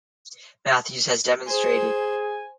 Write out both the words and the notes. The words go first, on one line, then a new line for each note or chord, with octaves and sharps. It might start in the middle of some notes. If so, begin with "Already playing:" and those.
Matthews has demonstrated.
G#4 C5 G#5